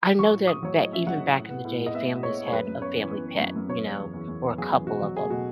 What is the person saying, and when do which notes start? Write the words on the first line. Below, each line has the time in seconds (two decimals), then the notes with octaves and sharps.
I know that back even back in the day, families had a family pet, you know, or a couple of 'em.
0.19 F#3 C#6
0.33 A2
0.47 A2 D#6
0.63 F#3 C#5
0.78 A2 D#5
0.92 C#4 E5
1.06 F#3 F#5
1.21 A2
1.35 A2
1.50 B3
1.64 A2
1.79 G#3
1.86 D#5
1.94 B3 E5
2.09 A2
2.23 G#3 C#5
2.38 G#3
2.48 C#5
2.52 F#2 B4
2.68 F#2
2.82 B3 C#5
2.97 E3
3.11 B3
3.26 B3
3.40 F#2
3.56 F#2
3.70 B3 C#5
3.84 C#3
3.99 E2
4.13 E2
4.28 E2
4.43 B3
4.58 F#3 G#4
4.72 E2
4.87 B2 F#4
5.02 F#3
5.16 A3 G#4
5.30 B2 F#4